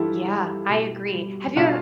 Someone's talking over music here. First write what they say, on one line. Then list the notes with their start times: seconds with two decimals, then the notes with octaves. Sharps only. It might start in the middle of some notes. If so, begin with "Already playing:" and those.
Yeah, I agree. Have you ev
Already playing: G2 E3 G3 E4 F4 G4 A4
0.25 G3
0.69 B2
1.13 G3
1.56 B2 D4 F4